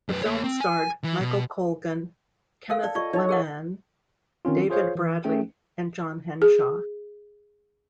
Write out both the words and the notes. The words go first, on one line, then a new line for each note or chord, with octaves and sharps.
The film starred Michael Colgan, Kenneth Glenaan, David Bradley and John Henshaw.
F#2 B4
A#3 C#5
C4
G#5
E3
B2
A4 A#4 F5
A4 D5
F4 D5 D#5 C#6
D4 D#4 C#5 C#6
G#4 A#4 F#5
D#3 C4 C#4 F4
F4 G#4 C5 C#5 F5
E3
A3 C#4 G#4 G5
G#4